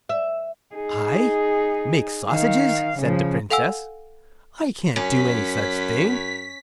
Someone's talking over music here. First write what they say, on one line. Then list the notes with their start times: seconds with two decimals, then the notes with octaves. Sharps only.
'I make sausages!' said the Princess; 'I can't do any such thing.
0.09 E5
0.75 D#4 G#4
2.29 D#3 F5
2.99 C#3 F3
3.50 A4 F5 F#5 G#5 E6
4.96 F#2 C#4 B6